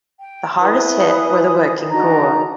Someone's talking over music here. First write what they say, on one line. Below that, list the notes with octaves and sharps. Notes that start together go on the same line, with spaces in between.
The hardest hit were the working poor.
G5
E4 B4 G#5 D#6
D4 D#4 F#4 A#5